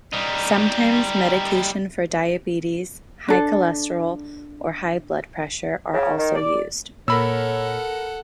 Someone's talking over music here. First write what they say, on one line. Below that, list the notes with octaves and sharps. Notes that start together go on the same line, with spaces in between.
Sometimes medication for diabetes, high cholesterol, or high blood pressure are also used.
G3 D#4
D4 A4
C#3
D#3
D5
A#2 A4 A#4 C#5 F#5 B5 E6